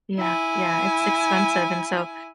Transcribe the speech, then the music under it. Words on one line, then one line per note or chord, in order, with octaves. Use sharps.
Yeah, yeah it's expensive, and so
E4 G#5